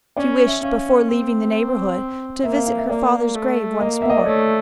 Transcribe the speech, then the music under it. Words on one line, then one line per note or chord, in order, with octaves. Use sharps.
She wished before leaving the neighbourhood to visit her father's grave once more.
C#4 D5
E5
C#4 F5
C4
A#3 E5
F5
F5
E5
A#3 D5
A3
A#3 D#5
E5
D#5
D5
A3 C#5